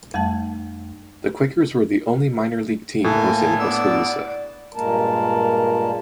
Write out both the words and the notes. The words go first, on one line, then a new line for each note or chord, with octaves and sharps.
The Quakers were the only minor league team hosted in Oskaloosa.
F2 G3 A3 A5
A2 A#3 A4 G#5
B3 D4 D5 E6
G2 A#2 G#3 A#3 A#4 A5